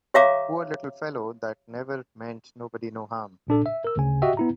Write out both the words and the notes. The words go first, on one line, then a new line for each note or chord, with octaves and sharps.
A poor little fellow that never meant nobody no harm!
G4 C#5 E5 F5 A#5 D6
B1 A#2 D4 A4
E5
A#4 E6
D2 C#3 G#5
F#4 G4 D#5 E5 G5
B3 E4 A#5